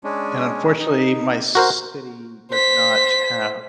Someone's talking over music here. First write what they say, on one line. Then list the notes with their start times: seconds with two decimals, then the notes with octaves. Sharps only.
and unfortunately, my city does not have
0.04 G#3 C#4 D4
0.79 D#4
1.55 F#4 A#4 C5
2.52 C5 B6